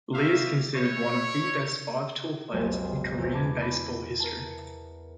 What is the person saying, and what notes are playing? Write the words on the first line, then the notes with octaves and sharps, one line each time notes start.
Lee is considered one of the best five-tool players in Korean baseball history.
G4 B4 C#5 E5 F5
E4 C#5
F#1 B1 F2 G#3 A3 G4
A#1 E2
A5 B5 D6 G#6
B5
A#4 A5
C#7